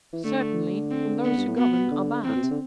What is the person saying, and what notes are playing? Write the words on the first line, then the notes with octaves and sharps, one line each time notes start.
"Certainly, when those who govern are bad."
E3
D3 A3
C4
B3
G2
A2
B2 B3
D3
A2 C4
B2
C3
D3